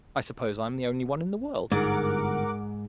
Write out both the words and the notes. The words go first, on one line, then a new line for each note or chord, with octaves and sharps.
I suppose I am the only one in the world.
G1 G#2 A#4 F#5 D6